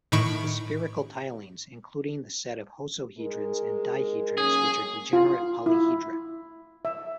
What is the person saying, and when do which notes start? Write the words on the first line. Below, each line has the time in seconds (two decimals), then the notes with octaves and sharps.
The spherical tilings including the set of hosohedrons and dihedrons which are degenerate polyhedra.
0.12 A2 D#3 B5 C#6 D7
3.18 G#3 D#4 A#4
4.38 F#3 A#3 C#4 G#4
5.13 F4
5.66 E4
6.85 E5